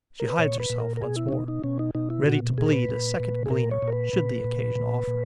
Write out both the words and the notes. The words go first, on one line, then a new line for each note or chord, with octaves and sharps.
She hides herself once more, ready to bleed a second gleaner should the occasion offer.
A#4
B4
A#2 C#5
B4
A#2
A#4
A#4
B2 G#4
E4
C#4
B2 D#4
D#4
B2 C#4
D#4
B2 D#4
E4
A#2 F#4
A#2 G#4
A#4
B4
A#2
A#2
G#4
A#2 A#4
C#5
A#2
A#4
B4
A#2
A#2
A#2
A#2